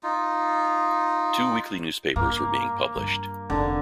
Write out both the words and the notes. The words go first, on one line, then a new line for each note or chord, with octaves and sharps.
Two weekly newspapers were being published.
D#4 F4
G2 A#3
G2
F1 D3